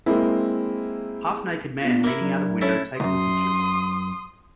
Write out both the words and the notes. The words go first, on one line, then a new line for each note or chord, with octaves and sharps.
Half naked man leaning out of window taking pictures.
G#3 A#3 C4 E4
B3 D4 F4
A#3 E4
F#3 D4
C#4 E4 A4
C2 F#2 C6 D#6